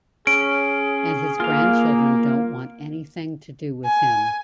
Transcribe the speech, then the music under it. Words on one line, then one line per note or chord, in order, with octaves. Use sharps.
And his grandchildren don't want anything to do with him.
C#4 G#4 D7
A#3 F4 F5
G#5